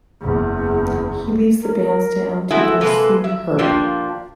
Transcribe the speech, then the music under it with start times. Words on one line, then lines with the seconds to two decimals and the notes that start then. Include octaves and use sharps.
He leaves the bandstand to pursue her.
0.21 F#1 E2
1.63 A#4
2.51 C4 E4 F#4 G#4 A4 E5
2.81 C3 G#3 A#3 A4 B4
3.24 E5
3.58 A#2 F3 A#3 D4 F4 G4